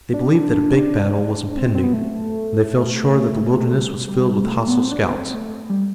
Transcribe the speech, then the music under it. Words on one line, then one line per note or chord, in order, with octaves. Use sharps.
They believed that a big battle was impending, and they felt sure that the wilderness was filled with hostile scouts.
D4
C4
C4
B3
A3
G3
G3
A3
B3
C4
D4
B3
C4
A3
G3